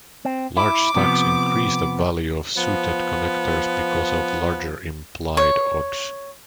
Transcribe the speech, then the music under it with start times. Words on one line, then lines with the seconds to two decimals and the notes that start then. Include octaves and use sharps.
Large stacks increase the value of suited connectors because of larger implied odds.
0.25 C4
0.57 E4 D6
0.95 C3 F3 B3
2.57 F3 B3
5.37 C#5